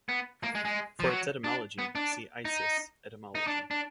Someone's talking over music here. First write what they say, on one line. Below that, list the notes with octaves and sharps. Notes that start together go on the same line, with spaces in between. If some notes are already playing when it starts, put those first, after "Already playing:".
For its etymology see Isis - Etymology.
B3
A#3
G#3
G#3
F3
F#3
D4
B3
D4
D#4
D#4
D4
D4